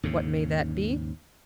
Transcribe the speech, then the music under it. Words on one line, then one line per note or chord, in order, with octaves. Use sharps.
What may that be?
D#2 G#2 C#3